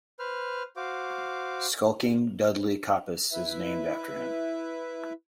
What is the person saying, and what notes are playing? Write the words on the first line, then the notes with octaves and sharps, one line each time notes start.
Skulking Dudley Coppice is named after him.
B4 C5 F6
F#4 C5 F5 D6
E4 B4 E5